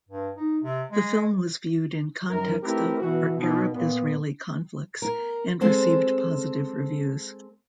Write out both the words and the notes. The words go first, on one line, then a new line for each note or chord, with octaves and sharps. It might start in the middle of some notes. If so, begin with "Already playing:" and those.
The film was viewed in context of Arab-Israeli conflicts, and received positive reviews.
G2
D#4
C3
G#3
F#2 D#3 A#4
A3 C4 E4 G4 A#4 B4
B2 E3 B3 F#4
B2 D#3
A#2 B3
A#4
G#3 C4 A4 C5